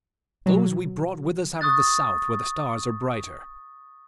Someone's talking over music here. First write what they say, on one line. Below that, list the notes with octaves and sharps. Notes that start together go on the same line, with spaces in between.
Those we brought with us out of the south where the stars are brighter.
B2 F#3
C#6 D#6 F#6 A6